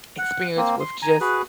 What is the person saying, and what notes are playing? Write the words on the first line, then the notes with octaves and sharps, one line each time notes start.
experience with just
F#5
A#3 C4
C6
G#5 A#5
F#4 G#4 B4